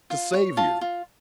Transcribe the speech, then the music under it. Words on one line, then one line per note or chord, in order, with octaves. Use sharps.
"To save you!"
F4
C#5
F4 A5
F4